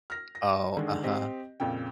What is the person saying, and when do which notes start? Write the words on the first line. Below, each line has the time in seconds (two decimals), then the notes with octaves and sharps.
Oh, uh-huh.
0.10 F6 A#6
0.35 A#6
0.77 D3 D#3 G#3 D4
1.03 C4 G4 D#5
1.60 F2 A#2 C#3 G5